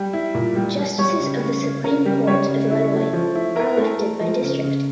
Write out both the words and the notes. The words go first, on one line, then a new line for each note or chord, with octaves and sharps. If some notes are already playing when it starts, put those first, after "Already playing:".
Justices of the Supreme Court of Illinois are elected by district.
Already playing: G3
E4
A#2
G3
G3
G3 C#5 C#6
C#3
C#3
C#3
C#3 A#4 A#5
G3
G3 C#5 C#6
C#3
E4
A3
F3
E4
E4 A#4 A#5
A3
A3
F3
C#3
C#3